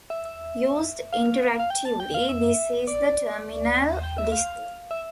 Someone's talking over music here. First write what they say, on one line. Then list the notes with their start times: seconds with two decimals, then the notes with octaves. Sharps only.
Used interactively, this is the terminal display.
0.10 E5
0.25 E5
1.13 F5
1.59 F5
1.70 G5
1.85 A5
2.00 G5
2.14 F5
2.29 E5
2.87 D5
4.03 G5
4.18 E5
4.32 F5
4.91 E5